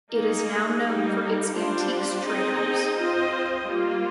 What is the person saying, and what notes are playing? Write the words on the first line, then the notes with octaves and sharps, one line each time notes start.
It is now known for its antiques traders.
A#3 D#4 G#4
G3 A#3 D#4
G3 D4 F4 C5
C4 D#4 G#4 D#5
C4 F4 C5 D#5
G3 A#3 F4